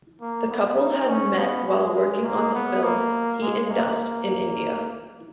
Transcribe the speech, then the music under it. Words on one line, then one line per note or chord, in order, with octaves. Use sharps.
The couple had met while working on the film "Heat and Dust" in India.
A#3
B3
D#4
C#4
B3
G#3
G#3
A#3
B3
A#3
G#3
A#3